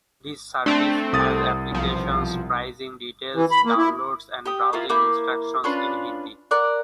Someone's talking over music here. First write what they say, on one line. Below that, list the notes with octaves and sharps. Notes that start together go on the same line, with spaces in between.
This service has applications, pricing details, downloads and browsing instructions in Hindi.
A3 C4 D4
C2 D#6 A6
B1 F3
E3
B5
A#3
E4
G4 G5 D#6
A#3 E4 F4
A#3 E4 D6 G6
C#4 D4 F4 B4
A#4 D5 F#5